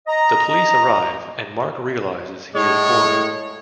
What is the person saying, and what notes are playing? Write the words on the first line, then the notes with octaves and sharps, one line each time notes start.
The police arrive and Mark realises he is cornered.
D#5 A#5
A2 G#3 C#5